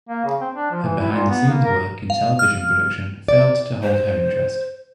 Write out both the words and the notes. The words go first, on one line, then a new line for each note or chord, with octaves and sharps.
Her behind-the-scenes work in television production failed to hold her interest.
A#3
C#3
C4
D4
F3
E3
E4
A#2
B3
A#3
A#4
F5
F6
D5
C5